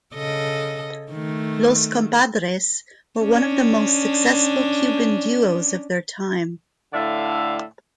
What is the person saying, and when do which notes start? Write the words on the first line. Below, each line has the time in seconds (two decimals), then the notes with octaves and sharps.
Los Compadres were one of the most successful Cuban duos of their time.
0.15 C#3 A4 D#5
1.11 D#3 A3
3.20 C#4 D4
6.93 A2 D3 D5 E5 F5